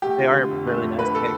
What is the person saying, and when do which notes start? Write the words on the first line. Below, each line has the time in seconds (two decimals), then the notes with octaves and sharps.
but they are really nice kicks.
0.02 A3 G4
0.18 D3 F4
0.35 D3
0.51 F2
0.67 A3
0.82 F2
0.99 D3 B4
1.15 A4